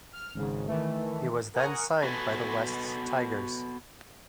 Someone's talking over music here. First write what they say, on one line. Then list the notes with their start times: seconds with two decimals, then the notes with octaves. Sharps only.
He was then signed by the Wests Tigers.
0.13 F6
0.34 G#1 G#2 C#3
0.67 D#3 E3 A3
1.54 A#4 F#5 G#5 A#5 C#6 D#6
2.03 B3 F#4 A4 B4 D#5 G#5